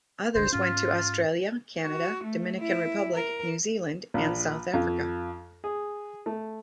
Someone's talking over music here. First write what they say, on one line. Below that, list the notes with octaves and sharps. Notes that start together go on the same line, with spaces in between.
Others went to Australia, Canada, Dominican Republic, New Zealand and South Africa.
F#1 C2 D3 C5
G#2 C#4 F4
F#4
A3
E4
A#4
A#1
F2
G#4
A3